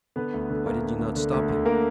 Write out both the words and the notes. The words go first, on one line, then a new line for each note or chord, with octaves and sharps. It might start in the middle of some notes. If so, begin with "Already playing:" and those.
"Why did you not stop him?"
D3 B3 B4
D2
D3
D2 A#3 A#4
D3
D2
D3
D2
D3
A#3 A#4